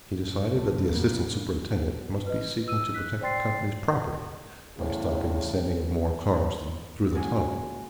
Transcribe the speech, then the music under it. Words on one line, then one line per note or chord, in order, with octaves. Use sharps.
He decided that the assistant superintendent must be seeking to protect the company's property by stopping the sending of more cars through the tunnel.
A2
B1 G2 B2 D3 A3
F1 A#1 E2 A#3 B3
B4 D#5
E6 D#7
F#6 B6
C5 D5 G5 C6 A6 C7
E2 A2 C#3
A#2 D3 G#3 C#4 F#4 G#4